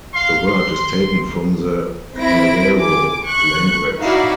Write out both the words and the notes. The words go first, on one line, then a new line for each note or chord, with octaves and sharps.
The word is taken from the Herero language.
F5 C6
C6
C4 E4 A#6 D7
G#5 D6
C#6 F#6
D#4 E4 F#4 D5 E5 F5